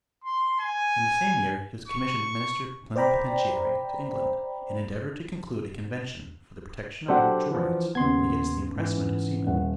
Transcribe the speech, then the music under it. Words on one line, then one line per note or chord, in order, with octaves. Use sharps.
In the same year he was commissioned Minister Plenipotentiary to England, and endeavored to conclude a convention for the protection of neutral rights, and against the impressment of seamen.
C6
G#5
C#6
C5 D5 G5 A#5 B5
F#3 D4 G4 A4 C5 F#5
E3 F3
D#2 C#3 B3 C6 G#6
G#2 E3
D#1 F#5